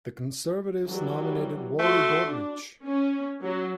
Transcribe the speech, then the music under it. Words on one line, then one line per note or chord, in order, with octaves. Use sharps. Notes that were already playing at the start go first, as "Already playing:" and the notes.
The Conservatives nominated Wally Daudrich.
E3 F#3 G3
A3 F#4 C6
D4
C#4
F#3